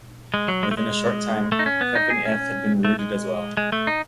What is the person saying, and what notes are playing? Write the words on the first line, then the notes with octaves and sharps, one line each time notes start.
Within a short time, Company F had been routed as well.
G#3
F#3
G#3
A3
G#3
A3
D#4
C#4
B3
D#4
G#4
C#4
A3
G#3
G#3
A3
D#4